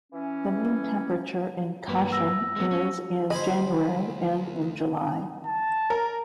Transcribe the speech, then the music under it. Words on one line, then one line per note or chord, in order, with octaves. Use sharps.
The mean temperature in Kashin is in January and in July.
E3 C#4
G2 A#3 B4
E6 A#6
G#3 A3 B3
C#4
D2 C5 D#5 G#5 B5
A5
A#4